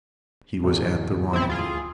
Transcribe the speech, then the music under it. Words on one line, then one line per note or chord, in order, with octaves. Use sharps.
He was at the rendezvous.
D1 E2
C4 E4
F4 G#4